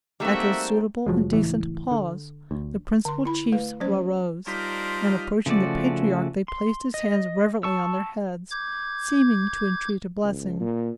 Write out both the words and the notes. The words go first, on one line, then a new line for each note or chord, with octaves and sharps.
After a suitable and decent pause, the principal chiefs arose, and, approaching the patriarch, they placed his hands reverently on their heads, seeming to entreat a blessing.
G3 A3 A#3 C4 D#4 F#4 E5
F1 F3 F#3 G#3
C#2 A2 E3
D3
D2
D3 C6
E4 B5
A3 B4
F#3 C#4 C5
G3 D4 D#4 F4 A#4 C5 C6 B6
C#3 F3 A3 F#4 D5
C6
D#5
A5 C#6 E6
D6 G6 G#6
C#2
A#2